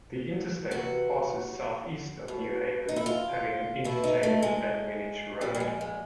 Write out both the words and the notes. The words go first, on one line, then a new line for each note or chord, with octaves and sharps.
The interstate passes southeast of New Haven having an interchange at Minnich Road.
C3 E3 F#4
B2
D#4
E4
F4
B2 E4
D#4
A3
G#3
A#2 F3 G3
G3
G#3
G#3